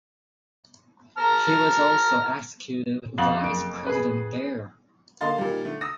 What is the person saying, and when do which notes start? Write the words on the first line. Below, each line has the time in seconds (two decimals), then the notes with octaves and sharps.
He was also executive vice president there.
1.18 A5 A#5 F6
3.18 F2 F5 F#7
3.43 F#1 D7
3.87 G#4 B4
5.21 D3 A#3 D#5 F5 C6 A6
5.38 A#2 D#3 G3
5.65 D3 A3
5.81 D#6 E6 A#6